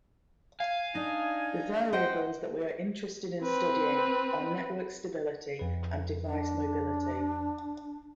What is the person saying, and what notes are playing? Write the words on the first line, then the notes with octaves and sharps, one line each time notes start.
The variables that we are interested in studying are network stability and device mobility.
F5 G#5
D4 D#4
C5 D#5 F#5 G5
C4 B4
F2 B4
D4